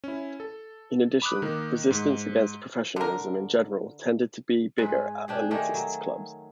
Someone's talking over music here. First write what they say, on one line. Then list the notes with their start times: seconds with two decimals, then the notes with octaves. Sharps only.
In addition, resistance against professionalism in general tended to be bigger at elitists clubs.
0.04 C#4 E4
0.40 A4
1.22 B5 D6 D#6 F#6
1.42 D#3 A#3
1.90 G#2
2.96 D3 A#4
4.78 G#2 G#4 B4
5.28 D4 G4 G#4
5.51 D#3 A3 G4 G#4
5.74 F#3